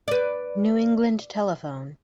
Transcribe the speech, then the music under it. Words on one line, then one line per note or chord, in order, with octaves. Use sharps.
New England Telephone.
B4 D5